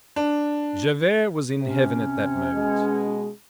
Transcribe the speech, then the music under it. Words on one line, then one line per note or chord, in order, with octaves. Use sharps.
Javert was in heaven at that moment.
D4
C3 C#4
B2 G#3